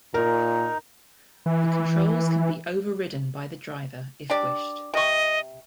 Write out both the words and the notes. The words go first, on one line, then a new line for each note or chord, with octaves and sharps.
The controls can be overridden by the driver if wished.
A#2 D#4 A#4
E3
D4 G4 D5
C3 D#5 C#6